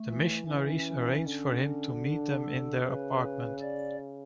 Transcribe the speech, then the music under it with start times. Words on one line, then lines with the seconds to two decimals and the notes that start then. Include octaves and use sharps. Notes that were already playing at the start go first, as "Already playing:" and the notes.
The missionaries arrange for him to meet them in their apartment.
Already playing: A3
0.09 E3
0.47 E3 C#4
1.27 D3
2.05 D4
2.44 A4
2.83 C#3 B4
3.61 D5